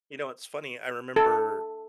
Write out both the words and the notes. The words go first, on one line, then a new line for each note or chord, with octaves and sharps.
You know, it's funny, I remember
A4